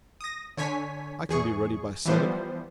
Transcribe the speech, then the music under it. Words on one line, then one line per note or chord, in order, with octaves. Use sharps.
I can be ready by seven.
D#6 A#6
D3 C#5 G#5 B6
E2 G#4 C#6
E3 F3 G3 B3 C5